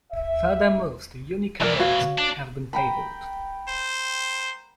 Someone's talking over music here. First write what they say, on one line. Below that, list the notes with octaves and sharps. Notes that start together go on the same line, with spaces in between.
Further moves to unicameralism have been tabled.
E5
B2 E3 A#4 D5
F#4 C#5 F5
D4
G5 A#5 B5
C5